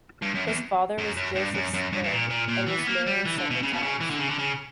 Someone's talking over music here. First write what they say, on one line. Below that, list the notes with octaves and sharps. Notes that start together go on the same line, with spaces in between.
His father was Joseph Sprigg and was married several times.
G2
F#2
E2
F#2
F#2
G2
F#2
F#2
G2
G2
A#2
A#2
A#2
E3
B3
A#3
G3
E3
D3
B2
C#3
B2
C#3
E3
D3
C#3
D3
C#3